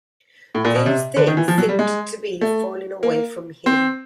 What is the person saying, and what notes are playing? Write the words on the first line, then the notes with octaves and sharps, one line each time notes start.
These things seemed to be falling away from him.
A2
A#2
B2
C3
D3
D#3
E3
F3
F#3
G3
G#3
A3
A#3
C4